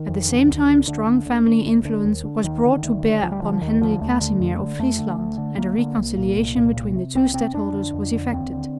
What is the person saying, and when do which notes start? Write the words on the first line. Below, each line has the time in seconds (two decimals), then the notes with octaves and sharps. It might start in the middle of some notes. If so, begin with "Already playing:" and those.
At the same time strong family influence was brought to bear upon Henry Casimir of Friesland, and a reconciliation between the two stadholders was effected.
Already playing: D#3
0.09 F2
0.29 D3
0.48 D2
0.68 D3
0.87 D2 D3
1.06 D3
1.26 D2
1.46 D3
1.66 D2
1.85 D3
2.05 D#2
2.24 D3
2.44 D#2 D#3
2.64 D3
2.83 D2
3.03 D3
3.22 D2 F3
3.32 G3
3.42 D3 F3
3.61 D#2 D#3
3.81 D3 F3
4.01 D#2 A3
4.20 D3
4.40 F2
4.59 D3
4.79 F2 A3
4.99 D3
5.19 D2
5.38 D3
5.57 D2 A#3
5.78 D3
5.97 C2
6.17 A#2
6.36 C2
6.56 A#2
6.76 C2
6.96 C3
7.15 C2 C4
7.34 C3 C4
7.53 F2 D4
7.74 D3
7.93 F2
8.14 D3
8.32 D#2 C4
8.52 D3